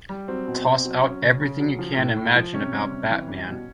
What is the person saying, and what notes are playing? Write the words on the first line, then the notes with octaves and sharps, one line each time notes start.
Toss out everything you can imagine about Batman!
G3
F#3 C4
B2
B2 C4
F#3
F#3 C#4
C#3
C#3
F#3
F3
A2
A2
F3
C3 C#4
G3
C3
E3
G3
B2